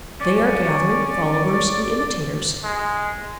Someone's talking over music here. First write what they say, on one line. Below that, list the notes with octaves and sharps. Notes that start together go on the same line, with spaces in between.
They are gathering followers and imitators.
C#4 D5
G#3